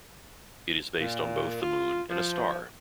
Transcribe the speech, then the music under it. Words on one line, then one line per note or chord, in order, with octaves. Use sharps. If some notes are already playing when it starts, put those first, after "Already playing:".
It is based on both the moon and a star.
A#2
F4
F3